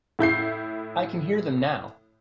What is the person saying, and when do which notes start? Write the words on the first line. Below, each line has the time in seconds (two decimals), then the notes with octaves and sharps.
I can hear them now.
0.19 A2 E4 G6 C7